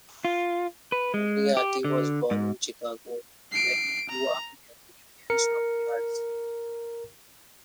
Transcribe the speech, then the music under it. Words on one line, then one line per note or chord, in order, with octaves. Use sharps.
Moriarty was born in Chicago, where he grew up near the Union Stock Yards.
F4
B4
G#3
G4
D3
G#2
C7 D7
A#5
A#4 C#7